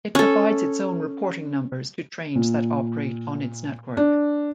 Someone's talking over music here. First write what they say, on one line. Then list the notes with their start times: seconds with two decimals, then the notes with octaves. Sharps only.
It provides its own reporting numbers to trains that operate on its network.
0.15 C#4 A4
2.35 A#2
3.97 D4